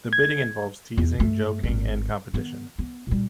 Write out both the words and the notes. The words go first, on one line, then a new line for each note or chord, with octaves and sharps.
The bidding involves teasing, joking, and competition.
G#6
E2
G2 A3
G#1 D#3
D#3 B3
B3
A#2 G3